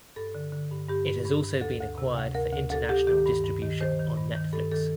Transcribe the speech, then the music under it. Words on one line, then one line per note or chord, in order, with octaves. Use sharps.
It has also been acquired for international distribution on Netflix.
G2 A4
D3
D3
G2
G2 G4
G2
G2
G2
D2 A4
D2
C3
D2
D2 A#4
D2
D2 A4
D2 G4
D#3 G4
G2
G2
D#3
D#3 C5
D#3
G2
D#3
G2 A4
D#3 A4